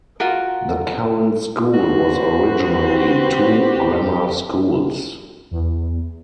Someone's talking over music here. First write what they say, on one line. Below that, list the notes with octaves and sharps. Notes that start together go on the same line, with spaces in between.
The current school was originally two grammar schools.
F4 F#4 A#4
F#4 B4 C5
C4 G4
E2